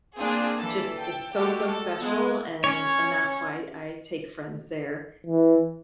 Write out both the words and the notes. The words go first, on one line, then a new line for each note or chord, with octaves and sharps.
just it's so, so special and and that's why I take friends there.
A#3 C4 D4 F4 G#4
E3 A4
A4 G5
G#3 A3 F#4 G4 A4
A4
G#3 B3
C#4 C#5
E3